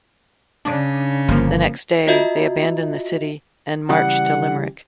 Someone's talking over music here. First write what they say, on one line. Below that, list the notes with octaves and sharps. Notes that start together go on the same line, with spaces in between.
The next day, they abandoned the city and marched to Limerick.
C#3 D4
G1 F3 A#3
F4 F#4 D#5 E5
C#3 E3 G3 F#5